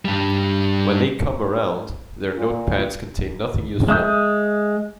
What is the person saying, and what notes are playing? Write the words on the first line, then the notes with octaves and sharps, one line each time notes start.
When they come around, their notepads contain nothing useful.
G2 G3
A#2
G#3 E5 D#6 G6